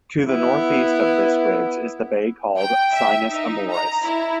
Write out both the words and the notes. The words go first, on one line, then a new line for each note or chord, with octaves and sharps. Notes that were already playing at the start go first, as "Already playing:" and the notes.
To the northeast of this ridge is the bay called Sinus Amoris.
B3 E4
G5
E5
D#4
A#5
E4